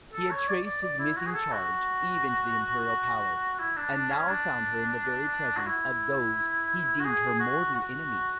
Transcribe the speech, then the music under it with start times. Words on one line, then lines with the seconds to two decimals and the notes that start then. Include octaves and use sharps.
He had traced his missing charge even to the imperial palace, and now found her in the very presence of those he deemed her mortal enemies.
0.13 A4
0.31 C#5
0.48 D5
0.65 D5
0.83 D5
0.99 E4
1.17 F#4
1.27 G#4
1.34 A4
1.52 F#4
3.59 E4
3.77 D4
3.94 D4
4.11 C#4
4.28 D4
5.57 F#4
5.67 E4
7.00 F#4
7.05 G#4
7.40 F#4
7.74 F#4